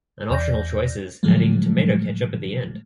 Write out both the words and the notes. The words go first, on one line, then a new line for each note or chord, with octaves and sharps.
An optional choice is adding tomato ketchup at the end.
E2 D5 G6 A#6
A2 D3 F3 F#3 G#3 A3